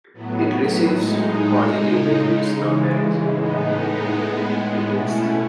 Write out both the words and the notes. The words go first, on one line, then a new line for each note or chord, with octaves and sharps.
It received positive reviews from television critics.
A2 F#3 B3
A2 G#3 D#4
C#3 G#3 D#4
C#3 E3 G#3
A2 G#3 B3 D#4
A2 G#3 B3
B2 A3 C#4 E4